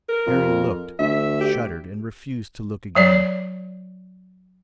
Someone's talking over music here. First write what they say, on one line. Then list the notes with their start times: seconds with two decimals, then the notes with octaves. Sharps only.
Harry looked, shuddered and refused to look again.
0.09 A#4
0.26 F2
0.99 D2 E5
1.41 G4
2.95 F#3 C#5 D5